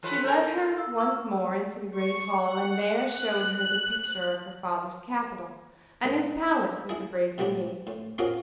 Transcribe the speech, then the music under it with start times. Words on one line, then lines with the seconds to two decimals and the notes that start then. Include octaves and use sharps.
She led her once more into the great hall, and there showed her the picture of her father's capital, and his palace with the brazen gates.
0.03 E3 A3 B4
0.24 A4 A#4 B5 G6
0.78 E6
0.98 C#6 E6 F6
1.96 C#6
2.46 F#5
3.13 F#6
6.05 G#3 A#3
6.89 E4 G#4
7.38 A2 C3 F#3 G3 D4
7.87 A2
8.18 C4 C#4 F4 F#4 G#4 A#4